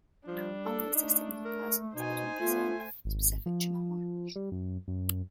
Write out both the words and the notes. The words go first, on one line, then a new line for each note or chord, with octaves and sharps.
Unlike cystic neoplasms, they don't present specific tumor markers.
F3 G3 D4
A4
A3 D#4
A#4
B2 D#4 C5 G#5
A3 B3 F4
G#1
F3
G3
F#2
F#2